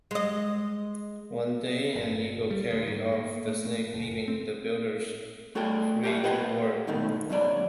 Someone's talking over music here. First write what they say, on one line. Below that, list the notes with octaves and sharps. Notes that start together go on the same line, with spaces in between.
One day an eagle carried off the snake, leaving the builders free to work.
G#3 D#5
G1
G3
D2
G#2
A#3
A2
F#1
C4
A3 F#4 G#4 A4 G5
G4 A#4 E5
G4 B4 D#5 F#5 G5
G#2 B2 D#3 A3
C#2 F#2 B2 F#3 D5